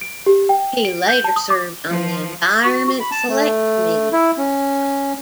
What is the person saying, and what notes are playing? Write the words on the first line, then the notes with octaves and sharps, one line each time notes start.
He later served on the Environment Select Committee.
D7
G4
G5
D7
G6
A5
D#6
D6
F3
F#4
B5
A5
A3
E4
C#4